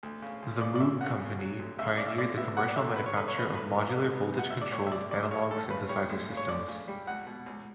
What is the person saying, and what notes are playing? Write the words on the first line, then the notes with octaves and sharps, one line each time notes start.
The Moog company pioneered the commercial manufacture of modular voltage-controlled analog synthesizer systems.
D2
C#3
D2
C#3 D5
D5
D2 E5
C#3 F#5
C#3
F#3
D2
C#3 E5
C#3 D5
E5
D2 D5
B3 E5
G3 F#5
D5
D3 E5
B3 B4
C#5
D3 B4
C#5
E2 B4
D3 B4
B3
D3
B3
E2
F#5
E2 E5
D5
D2 C#5
E5
D2 D5
D2 D5
C#3 C#5
D2 A4
C#3 B4
G3 C#5
D2
C#3
C#5
D2 D5
C#3
G3
C#2 F#5
B2
C#2